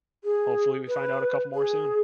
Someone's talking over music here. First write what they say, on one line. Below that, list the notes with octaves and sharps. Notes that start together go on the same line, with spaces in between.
hopefully, we find out a couple more soon.
G#4
B4
G#4